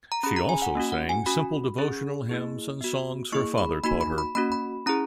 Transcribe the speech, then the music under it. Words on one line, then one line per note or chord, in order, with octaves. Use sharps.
She also sang simple devotional hymns and songs her father taught her.
A#5
C#4 G#4 B5
A#5
G#5
F#5
A#3 C#4 F#4
F#5
G#5
C#4 F#4 B5
C#4 G#4
A#3 E4 G#4
B3 F#4
A#3 E4 G#4 C#6
B5
A#3 D#4 F#4 B5
B5
B5
A#3 C#4 F#4 B5
B5
C#4 E4 G#4 A#5